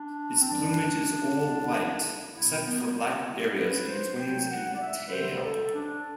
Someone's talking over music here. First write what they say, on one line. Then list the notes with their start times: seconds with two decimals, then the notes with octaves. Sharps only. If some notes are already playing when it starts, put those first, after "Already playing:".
Its plumage is all white except for black areas in its wings and tail.
Already playing: D4
0.41 C4
0.48 F#2 E3 G3 D4
1.41 C2 C3 G3
2.34 E2 B2 F#3 E4
2.65 B3
3.26 A2 G3 E4
3.58 B4
3.88 C5
4.19 D2 C3 F#3 G5
4.45 G5
4.51 F#5
4.74 D5
4.81 E5
5.07 B4
5.12 D2 C3 G3 C5
5.32 B4
5.43 A4
5.75 D4